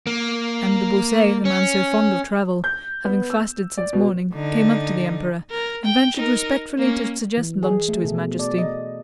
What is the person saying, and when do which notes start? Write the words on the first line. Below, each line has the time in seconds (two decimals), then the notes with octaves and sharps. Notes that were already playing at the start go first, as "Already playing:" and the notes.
M. de Beausset, the man so fond of travel, having fasted since morning, came up to the Emperor and ventured respectfully to suggest lunch to His Majesty.
0.07 A#3
1.45 C#4
2.64 G6
3.04 B3
3.30 E6
3.78 D5
3.93 B2
4.33 D3 D#4
5.51 A#4
5.85 G5
6.16 D#4 A#4
6.78 A#3 C#4
7.37 E3
7.63 G#4
7.88 A3
8.05 B2
8.39 D5
8.58 D#5